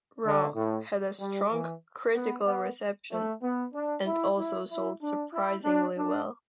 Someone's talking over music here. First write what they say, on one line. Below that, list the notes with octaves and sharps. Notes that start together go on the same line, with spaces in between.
"Raw" had a strong critical reception, and also sold surprisingly well.
D3
A2
G3
E3
B3
B3
A3
B3
D4
E4
E4
E4
D4
E4
D4
D4